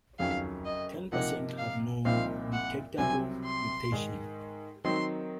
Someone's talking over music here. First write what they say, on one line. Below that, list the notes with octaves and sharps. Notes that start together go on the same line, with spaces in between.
Ten percent have no detectable mutation.
F#1 F2 D#3 F#3 C#4 F5
D#5
C3 F3 A#3 D#4 F#5
F5
C2 A#2 F3 C4 D#4 F5
F#5
C2 C3 F#3 C4 G#5
C6
G#2 D#3 G#3
D#3 F#3 C4 D#4 C6